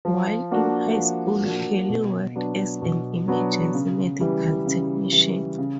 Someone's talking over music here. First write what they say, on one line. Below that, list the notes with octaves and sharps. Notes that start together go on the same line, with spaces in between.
While in high school, Kelly worked as an emergency medical technician.
F3
A#3 D4 F#4
F3
A#3 D4 F#4
B2
F#3 B3 D4
B2
F#3 B3 D4
C#3
E3 G3
C#3
E3 G3
C#3